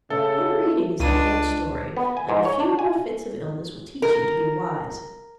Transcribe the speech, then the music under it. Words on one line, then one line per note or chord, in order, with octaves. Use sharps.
Overeating is an old story; and a few more fits of illness will teach you to be wise.
C#3 A3 A4
C#2 D4 D#7
B3
G#5
G#2
C#5
D4
G#5
A#4